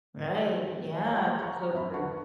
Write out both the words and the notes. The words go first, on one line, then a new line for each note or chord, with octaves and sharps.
Right, yeah, so true.
C#5 E5 F5 G#5
F4 G#4 C#5 E5 F#5 G5
F#5 A#5 C#6
F#2 E5 B5
D4 B4 F#5 A5 C#6